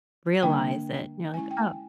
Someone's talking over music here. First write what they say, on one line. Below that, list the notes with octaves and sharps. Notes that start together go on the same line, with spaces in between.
realize it, you know, like, "Oh"
D3 G3 A#3 D4 G5
G#3 C#4 E4 G#5
G5
G#5